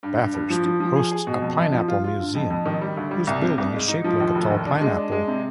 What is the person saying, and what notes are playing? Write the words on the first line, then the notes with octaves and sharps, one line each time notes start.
Bathurst hosts a pineapple museum whose building is shaped like a tall pineapple.
G2
G2
G2
F3
F3
F3
G#4
G#4
B2
F2
F2
F3
F4
F4
D3
F2
F2
D#3
G3
D2
G3
C2
C3
C2
G#2
D#4
F3
D#2
F1
D#2
D4
G#3
D4
G#3
C3